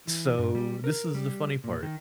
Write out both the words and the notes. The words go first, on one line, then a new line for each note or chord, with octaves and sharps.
So, this is the funny part:
E3
G2
G3
A#4
G3
A#2
D#3